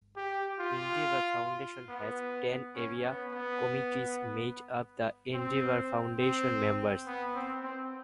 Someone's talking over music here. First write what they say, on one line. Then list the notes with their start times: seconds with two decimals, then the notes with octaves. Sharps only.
Endeavour Foundation has ten Area Committees made up of Endeavour Foundation members.
0.16 G4
0.60 F4
1.89 B3
2.75 C#4
3.03 B3
3.32 B3
5.34 C4
6.19 C4
7.06 B3
7.34 C4
7.64 C4